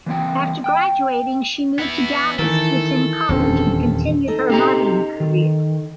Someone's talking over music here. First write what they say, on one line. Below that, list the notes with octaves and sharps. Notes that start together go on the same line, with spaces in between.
After graduating, she moved to Dallas to attend college and continued her modeling career.
E3 A#3 C4 G5
G5
B3 E4
D#3 E3 A4 A#4
D#1 E2 D3 C4 C#4
D#4 A4 D#5
C4 G4 A#5
D#3